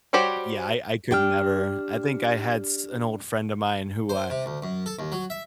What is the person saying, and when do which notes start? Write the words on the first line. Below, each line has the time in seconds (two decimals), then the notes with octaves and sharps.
Yeah. I I could never. I think I had s an old friend of mine who, uh,
0.13 G3 F#4 G4 C5 C#5
1.11 D4 G4 G5 F6
4.09 C5
4.31 C3
4.46 D2
4.62 F#2
4.86 A4
4.99 D#2
5.12 F#3
5.30 E5